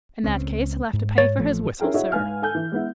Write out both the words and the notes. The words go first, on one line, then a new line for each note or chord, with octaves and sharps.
"In that case, he'll have to pay for his whistle, sir."
C#2 C4 C#4
G#2
C#5 A6
A1 F3 A3
C#4 E4 G#4 A#4 G5
E4 F#4 G#4 C#5 D#5 E5
G#2 B4 F5 G#5 F6
A4 G#5 G6
E3
G#3 B3 E4